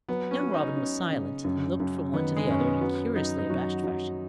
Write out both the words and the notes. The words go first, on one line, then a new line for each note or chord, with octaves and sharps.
Young Robin was silent, and looked from one to the other in a curiously abashed fashion.
F#3 B3
C#4
F#3
D#4
C#4
C#3
F#2
F#2
D#3 B3
G#3
F#2 C#4
B3
F#3 B3
F#3 D#4
D#4
F#3 F#4
F#3